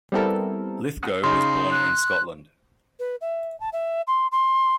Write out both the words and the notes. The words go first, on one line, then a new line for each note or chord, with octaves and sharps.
Lithgow was born in Scotland.
G3 B3 C4 E4 A4 A#4
C#3 D#4 C6
F#6
B4
E5
A5
E5
C6
C6